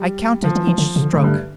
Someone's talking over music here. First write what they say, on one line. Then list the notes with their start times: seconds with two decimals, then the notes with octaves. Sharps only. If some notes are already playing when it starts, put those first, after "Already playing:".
I counted each stroke.
Already playing: G3
0.43 D3 F3
0.55 E3
0.67 E3
0.78 D3
0.96 C3
1.02 D3
1.13 A2 D3
1.24 G2